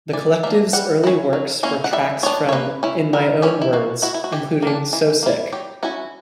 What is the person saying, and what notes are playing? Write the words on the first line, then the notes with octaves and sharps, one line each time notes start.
The collective's early works were tracks from "In My Own Words", including "So Sick".
E3 D5
A#3 D4 E5
G3 F#5
C#4 E4
F#3
A#3 C#4 E4
F#5
G3 E5
B3 D4 C#5
C#5
A#3 B4
C#4 E4
G3 A#4
C#4 E4 G4
E4
A#3 F#4
E4 F#4
E4
F#4
E3 G4
A#3 D4
E3
A#3 E4
F#3 G4
C#4 E4 F#4